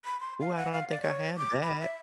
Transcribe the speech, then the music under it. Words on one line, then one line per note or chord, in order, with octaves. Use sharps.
Ooh, I don't think I had that.
B5
C6
F5
F#5
F5
D5
C#5
D6
B5
E5